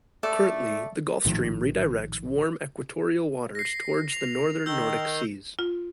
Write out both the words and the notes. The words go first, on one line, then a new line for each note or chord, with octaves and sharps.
Currently, the Gulf Stream redirects warm, equatorial waters towards the northern Nordic Seas.
A3 A4 D5
A#1 A2 D#3 F3
A#6 C7
C7 F7
D#3 E6 G6 G7
F4